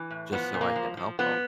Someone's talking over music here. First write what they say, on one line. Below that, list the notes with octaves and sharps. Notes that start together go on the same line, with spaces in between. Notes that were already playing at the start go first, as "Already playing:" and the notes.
just so I can help 'em.
Already playing: E3
A2
F3 B3
A#2
A#3
F3
F3
F3 B3